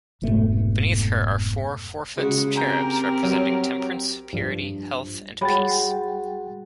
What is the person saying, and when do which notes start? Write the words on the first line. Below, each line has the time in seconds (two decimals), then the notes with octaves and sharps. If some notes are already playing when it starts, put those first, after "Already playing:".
Beneath her are four four-foot cherubs representing Temperance, Purity, Health, and Peace.
0.22 F1 G#2 B2 A3
2.16 C#3 G#3 F#4
2.56 C4 G4 A#4 G#5 A#5 G6
3.23 F#3
4.33 G2 F3
5.41 G3 F#4 G#4 C#5 F#5 G5 B5 A6